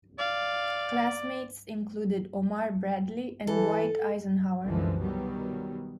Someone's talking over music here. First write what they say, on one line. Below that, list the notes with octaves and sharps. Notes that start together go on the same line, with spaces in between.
Classmates included Omar Bradley and Dwight Eisenhower.
D5 F5
E3 A4
C2 F#2 D3 E3 F3 G#3
B2 D#3 F#3 G3 B3